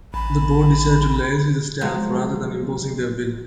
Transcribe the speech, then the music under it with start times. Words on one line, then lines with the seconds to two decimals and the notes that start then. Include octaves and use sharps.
The board decided to liaise with the staff rather than imposing their will.
0.14 A1 B5
1.81 F3 F#3 G#3